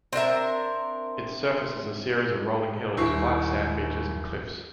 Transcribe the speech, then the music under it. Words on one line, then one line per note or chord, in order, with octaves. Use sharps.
Its surface is a series of rolling hills, white sand beaches and cliffs.
C4 D4 A#4 E5
D#1 E4 C#6 C7